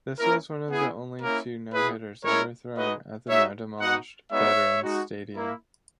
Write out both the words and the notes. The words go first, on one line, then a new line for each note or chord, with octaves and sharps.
This was one of only two no-hitters ever thrown at the now-demolished Veterans Stadium.
A#3 C#4 E4 A#4
B3 E4 G#4
A#3 C#4 E4 A#4
B3 E4 G#4 B4
G#3 C#4 E4 A#4 C#5
G#3 D#4 F#4 B4 D#5
G#3 D#4 F#4 C#5 E5
B3 D#4 F#4 D#5 F#5
G#3 B3 D#4 F#4 C#5 E5
G#3 D#4 F#4
A#3 E4